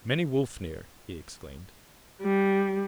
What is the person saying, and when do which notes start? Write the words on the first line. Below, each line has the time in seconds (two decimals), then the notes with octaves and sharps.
"Many wolf near," he exclaimed.
2.22 G3